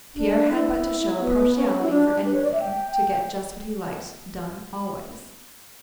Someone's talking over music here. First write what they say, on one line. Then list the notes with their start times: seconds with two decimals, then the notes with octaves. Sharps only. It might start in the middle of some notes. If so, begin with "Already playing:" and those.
Pierre had but to show a partiality for anything to get just what he liked done always.
0.15 D4
0.50 E4
1.20 B3
1.55 C#4
1.74 F#4
1.81 E4
1.89 D4
2.25 B4
2.33 C#5
2.43 D5
2.51 E5
2.60 G5